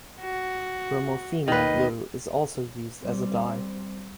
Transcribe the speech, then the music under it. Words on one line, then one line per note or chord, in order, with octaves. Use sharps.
Bromophenol blue is also used as a dye.
F#4
D#2 D#3 B4 D#5
G3 C4